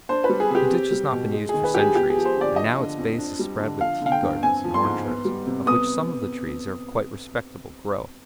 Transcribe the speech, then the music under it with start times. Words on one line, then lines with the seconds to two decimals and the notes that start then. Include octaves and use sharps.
The ditch has not been used for centuries, and now its base is spread with tea-gardens and orchards, of which some of the trees are of quite respectable growth.
0.09 D4 C5
0.24 B4
0.29 G3
0.40 G#4
0.51 C3 G#4
0.55 G4
0.71 C4
0.91 G3
1.12 B2
1.32 G#3
1.49 G#4
1.54 D#3
1.64 B4
1.74 G2 G4
1.79 G#4
1.94 B3 G4
2.10 G#4
2.16 F3
2.25 C5
2.36 D3 D5
2.56 F3 D#5
2.78 D3
2.98 F2
3.18 D4
3.39 G3
3.60 D3
3.80 F3 F5
4.01 D3 F5
4.12 G5
4.23 G2
4.43 C4 G#5
4.64 F3
4.74 C6
4.85 G#2
5.04 B3
5.25 G3
5.47 C3
5.66 B3 D#6